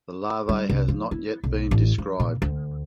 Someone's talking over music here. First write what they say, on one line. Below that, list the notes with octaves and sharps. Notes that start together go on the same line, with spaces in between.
The larvae has not yet been described.
G3
C2
F3
E4
B1
A1
F3
A#2
D2